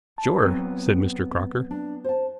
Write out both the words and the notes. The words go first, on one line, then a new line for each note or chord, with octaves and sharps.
"Sure," said Mr. Crocker.
A5
F#3 B3 C4
D4
C5 A5